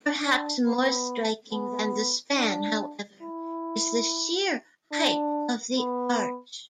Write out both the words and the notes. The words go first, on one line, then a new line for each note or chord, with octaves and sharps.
Perhaps more striking than the span, however, is the sheer height of the arch.
D4
B3
B3
D4
E4
D4
B3